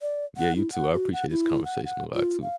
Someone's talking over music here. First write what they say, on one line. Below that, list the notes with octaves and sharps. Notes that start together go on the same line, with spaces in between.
Yeah, you too. I appreciate this conversation a lot, too.
D5
F#5
E4
F#5
F#4
F#5
E4
F#5
F#5
F4
F5